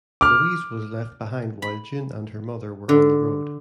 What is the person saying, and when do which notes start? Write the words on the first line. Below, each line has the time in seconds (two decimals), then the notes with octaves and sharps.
Louise was left behind while June and her mother were on the road.
0.21 D6 F6
1.62 B5
2.89 D3